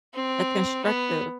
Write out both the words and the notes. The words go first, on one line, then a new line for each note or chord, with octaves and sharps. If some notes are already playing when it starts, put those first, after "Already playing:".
A constructive
C4
B3